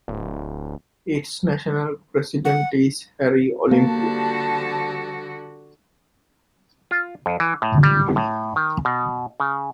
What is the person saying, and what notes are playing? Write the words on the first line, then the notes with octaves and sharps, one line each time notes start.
Its National President is Harry Olympio.
D1
F#5
D3 F3 G3 A#3 F#4 A5
F4
F2
E3
A2
G3
A2
D#3
B2
C#3